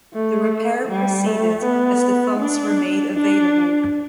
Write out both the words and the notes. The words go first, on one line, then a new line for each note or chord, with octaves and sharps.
The repair proceeded as the funds were made available.
A3
G3
A3
B3
D4
D4